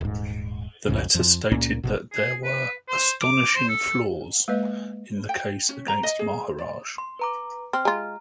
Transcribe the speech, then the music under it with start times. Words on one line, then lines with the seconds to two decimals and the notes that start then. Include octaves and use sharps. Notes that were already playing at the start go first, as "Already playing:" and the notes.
The letter stated that there were 'astonishing flaws' in the case against Maharaj.
0.01 D#1 G#2
0.88 B1 F2 G#2 C#3
1.14 F2 F3
1.52 C#2 A#2 A#3 C#4
1.84 G1 C2 B2
2.12 G#4
2.43 B4
2.88 C5
3.22 D6
3.55 C5
3.69 A4
4.48 G#3 A#3 B4 D#5
5.29 G5
5.69 C#4
5.88 A#5
6.03 D#5
6.19 G#4
6.59 D5
6.98 C6
7.19 B4 A#5 D6
7.73 C4 F6
7.85 G#3 F4 A#5